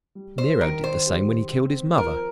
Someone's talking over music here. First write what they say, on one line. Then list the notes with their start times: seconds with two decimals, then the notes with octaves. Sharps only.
Nero did the same when he killed his mother.
0.15 G3
0.38 C5
0.61 D#3 A#4
0.84 C5
1.06 G4
1.51 C4
1.98 F3 A#4